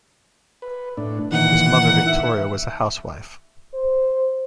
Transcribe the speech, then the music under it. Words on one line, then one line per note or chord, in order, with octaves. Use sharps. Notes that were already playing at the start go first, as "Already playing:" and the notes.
His mother, Victoria, was a housewife.
B4
A2 D4
A#2 D#3 E3 F#5
E5
C5